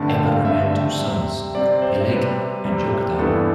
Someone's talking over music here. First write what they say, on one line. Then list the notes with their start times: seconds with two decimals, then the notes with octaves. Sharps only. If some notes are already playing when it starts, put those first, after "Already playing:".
Eber had two sons: Peleg and Joktan.
Already playing: G2 D3 A3 C4 A5
0.08 G5
0.26 F5
0.44 G2 D3 A3 C4 E5
0.73 E5
1.00 C3 G3 C4
1.55 C3 G3 C4 D5
1.82 C5
2.09 C3 G3 C4 B4
2.65 C3 G3 C4
3.19 G2 E3 B3 A4